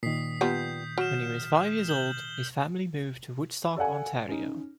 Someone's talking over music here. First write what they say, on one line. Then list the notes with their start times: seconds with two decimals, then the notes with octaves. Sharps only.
When he was five years old, his family moved to Woodstock, Ontario.
0.03 A#2 D#3 D#6 B6 C7
0.41 F3 G3 B3 G6
0.98 F#3 F6 E7
1.88 G6 F#7 G7
3.77 A4 D5 F5 F#5 G#5
4.29 C#4 D#4